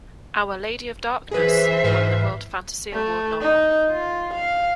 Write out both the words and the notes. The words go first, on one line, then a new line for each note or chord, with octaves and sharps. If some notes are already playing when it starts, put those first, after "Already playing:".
"Our Lady of Darkness" won the World Fantasy Award-Novel.
E3 G#4 B4 C5 E5
G#2 B4 F6
A3
D#4
F4
F5